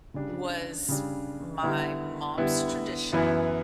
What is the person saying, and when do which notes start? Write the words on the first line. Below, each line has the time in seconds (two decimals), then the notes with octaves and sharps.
was my mom's tradition,
0.14 C#3 G3 D4
0.88 C#3 G3 D4
1.63 D3 G3 B3 E4
2.37 D3 G3 B3 E4
3.12 F#2 E3 B3 E4 B4